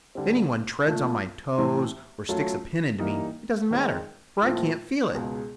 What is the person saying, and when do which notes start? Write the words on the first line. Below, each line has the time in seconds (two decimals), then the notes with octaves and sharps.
If anyone treads on my toes or sticks a pin into me, it doesn't matter, for I can't feel it.
0.15 D3 G3 C4
0.86 A#2 F3 A3
1.58 A2 E3 A3 C4
2.29 F#3 A3 C#4 F4 A4
2.99 E3 G3 A#3 D#4
3.71 D#3 G#3 C4 D#4
4.42 A#2 F3 A3 C4 E4
5.14 C#2 B2 G#3